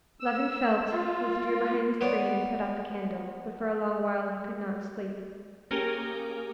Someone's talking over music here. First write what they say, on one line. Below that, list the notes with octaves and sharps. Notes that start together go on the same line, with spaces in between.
Levin felt, withdrew behind the screen, and put out the candle, but for a long while he could not sleep.
E6
F4
B3 C#5 D5
A#3 C#4 G4 G#4 A#4